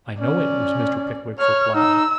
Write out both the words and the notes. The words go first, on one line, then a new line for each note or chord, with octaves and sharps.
'I know it,' was Mr. Pickwick's reply.
C#4 D5
C#5 F6
D#4 E6